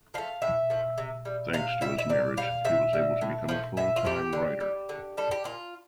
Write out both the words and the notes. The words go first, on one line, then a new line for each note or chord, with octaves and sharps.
Thanks to his marriage, he was able to become a full-time writer.
F3 A3 F5
A2 E5
F3 A3
C3
G3
C3 F5
G3 E5
E5
C3 D5
G3 F5
C3 E5
G3
A2
F3 A3
A2 E5
F4
F3 A3 G4
D3
G3
D3
G3 A4
G4
A#2 F4